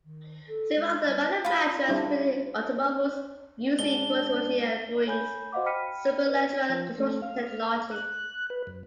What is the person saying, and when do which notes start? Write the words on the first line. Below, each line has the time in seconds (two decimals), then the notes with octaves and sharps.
Several other manufacturers created automobiles using Carozzeria Touring's superleggera construction technology.
0.05 D#3
0.48 A4
0.75 G#3
1.04 G3
1.45 F4 F5 B5
1.89 G3 D4 E4
3.79 G#2 D4 G7
5.07 C#5 G#5 B5 G6
5.52 F#4 C5 D#5 F5 F#5 D6
5.66 G5 B5 F6 B6 C#7 D#7
6.27 B4 D5
6.69 F3
6.98 A3
7.22 F5
7.91 F#6
8.50 B4
8.67 F#2